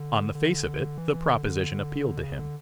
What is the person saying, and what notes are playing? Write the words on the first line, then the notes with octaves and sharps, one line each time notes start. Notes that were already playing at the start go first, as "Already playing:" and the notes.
On the face of it, the proposition appealed to him.
Already playing: D3
D3
D3
E3
E3
D3
D3
B2
C#3
D3